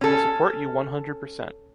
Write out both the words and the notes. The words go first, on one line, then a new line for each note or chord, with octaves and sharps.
We will support you, one hundred percent!
C#4 A4